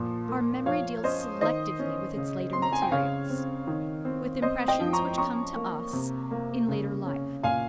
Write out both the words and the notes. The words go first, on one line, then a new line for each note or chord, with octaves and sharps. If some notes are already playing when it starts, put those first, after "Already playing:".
Our memory deals selectively with its later materials, with impressions which come to us in later life.
Already playing: A#2 F3
A#3
F3 C#5 F5
C#4 C5 D#5
D#3 C5 D#5
C#4
C#3
C4 C6
A#5
G#5
G5
C#3 C#5 F5
C4
D#3
C4
C4 C5 D#5
D#5 G5
F3
A#5 C#6
C#4 A#5 C#6
A#3
C3
A#3
C#3
C#4
A#2 F5 G#5